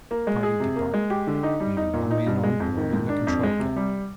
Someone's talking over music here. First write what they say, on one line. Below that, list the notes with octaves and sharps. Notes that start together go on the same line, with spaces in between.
The party debarked, leaving one man on board in the control cabin.
A#3
G#3
G#4
C3
A#3
G#3
G4
D3
D#4
G3
D#4
A#2
D#4
G2
G#3
F2
D#3
G#2
D4
F2
G#3
C3
G3